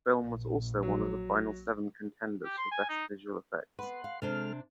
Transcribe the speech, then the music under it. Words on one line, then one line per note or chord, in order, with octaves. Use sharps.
The film was also one of the final seven contenders for Best Visual Effects.
A#1
F#3
G4
C6
G#5
D#4
B3 B4 F#5 C6
F5
C3 G#3 D4 A4 C5 F6